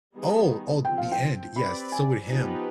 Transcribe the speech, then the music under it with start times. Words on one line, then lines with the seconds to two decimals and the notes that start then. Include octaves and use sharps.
Oh, oh, the end, yes. So with him,
0.14 D#3 G3 B3 D#4 G#4
0.85 F3 C4 F4 G5
0.98 F5
1.12 G5
1.56 C4 G4 B4 D5 B5
1.92 G#5
2.27 F3 B3 D#4 G4 B4